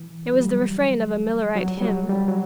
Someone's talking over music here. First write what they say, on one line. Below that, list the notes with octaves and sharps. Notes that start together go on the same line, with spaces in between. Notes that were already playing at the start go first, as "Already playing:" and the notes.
It was the refrain of a Millerite hymn.
Already playing: E3
F#3
G3
F#3
F#3
G3
F#3
G3
F#3